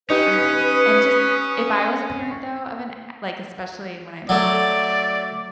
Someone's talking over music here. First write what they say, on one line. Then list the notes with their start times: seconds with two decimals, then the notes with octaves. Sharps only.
Um, and just if I was a parent though, of an like, especially when I
0.10 C#4 D#4 G4 B4 D#6
4.29 F#3 A3 D5